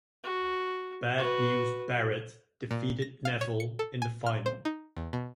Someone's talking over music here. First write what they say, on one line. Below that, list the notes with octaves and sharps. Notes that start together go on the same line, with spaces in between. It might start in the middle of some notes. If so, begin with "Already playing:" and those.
Bad News Barrett defeated Neville in the final.
F#4
F#4 B4
A#2
A#6
F5
C#5
C#7
A4
G#5
F6
C5
D#4
E2
B2